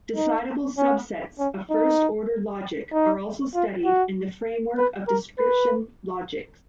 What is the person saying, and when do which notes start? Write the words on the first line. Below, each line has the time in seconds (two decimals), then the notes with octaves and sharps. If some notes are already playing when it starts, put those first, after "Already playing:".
Decidable subsets of first-order logic are also studied in the framework of description logics.
0.16 D#4
0.78 C#4
1.39 C#4
1.70 D#4
2.93 D#4
3.54 F4
3.85 F#4
4.78 B4
5.08 A#4
5.39 B4